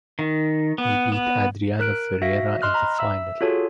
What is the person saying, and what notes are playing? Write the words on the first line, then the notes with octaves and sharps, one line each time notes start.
He beat Adriano Ferreira in the final.
D#3
B3
B3
A#4 F#6 D7
F#4 E5 F5 A#6 B6
D#5 C6 F6 F#6
A#5 B5
E5 E6
F4 F#4 G#4 A4 C#5 A5